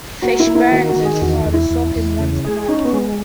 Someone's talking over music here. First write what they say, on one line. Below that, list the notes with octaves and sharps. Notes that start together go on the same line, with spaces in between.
Fishburne's father saw him once a month.
A#3 F#4
E4
A#3
E4
D#3 F#4
F#4
D#3
G#4
E2 F#4
E2
E4
E2
E2
C#3
G#4
C#4 D#4
B3
G#3